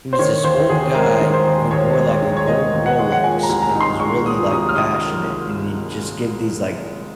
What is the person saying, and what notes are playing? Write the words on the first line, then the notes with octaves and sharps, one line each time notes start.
he was this old guy who wore, like, a gold Rolex and was really, like, passionate, and he'd just give these, like,
C5
D#3 C#5
D#2 C5
D#2 G#4
G#3 A#4
D#3
C5
D#2
D#2 C#5
G#3
C#5
D#3
C#5
D#2 D#5
D#2
F#5
G#3
F#5
A#2 G#5
A#5
C2
A#5
D#4
C6
G#3 C#6
A#2 D#6
C2 D#6
F6
D#4 D#6